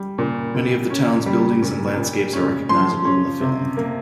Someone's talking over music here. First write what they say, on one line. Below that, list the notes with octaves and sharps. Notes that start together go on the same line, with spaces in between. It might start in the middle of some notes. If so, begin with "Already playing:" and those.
Many of the town's buildings and landscapes are recognizable in the film.
Already playing: G3
A#2
A#2
C#4
G3
A#2
A#2
C#4
F3 C6
C#4
C3
A#3